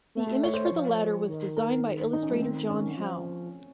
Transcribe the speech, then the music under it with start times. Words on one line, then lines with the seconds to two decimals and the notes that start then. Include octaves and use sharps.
The image for the latter was designed by illustrator John Howe.
0.15 A3
0.43 C#5
0.54 C5
0.65 C#5
0.72 F3
1.28 D#3
1.57 A#4
2.13 D#4
2.22 C#4
2.29 F3 A3
2.41 D#3 C4
2.70 C#4
2.97 F3